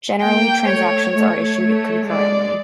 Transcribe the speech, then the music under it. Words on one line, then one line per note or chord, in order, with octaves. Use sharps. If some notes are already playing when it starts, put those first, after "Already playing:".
Generally, transactions are issued concurrently.
A#3 G5
A3 C#5
A3 C#5
A3
G#3 D5